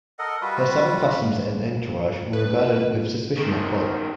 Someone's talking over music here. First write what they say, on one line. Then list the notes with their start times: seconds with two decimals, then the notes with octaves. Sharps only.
Her southern customs and entourage were regarded with suspicion at court.
0.19 A4 A#4 D#5 F#5
0.41 G3 F4 F#4 B4
2.33 B4
3.37 B2 D#3